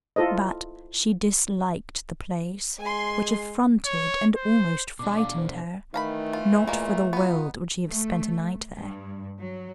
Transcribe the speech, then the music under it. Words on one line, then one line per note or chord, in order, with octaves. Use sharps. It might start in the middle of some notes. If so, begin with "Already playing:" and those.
But she disliked the place, which affronted and almost frightened her; not for the world would she have spent a night there.
E4 F4 A4 C5 D#5
G#3 G#5 C6
C#5
C5
B2 D4 D6
F5 D6
C5
D#3 E3 A3 F5 A#5 B5
F4
A#2 G#3 A#3
B3 D#4 F4
A3
G2
F#3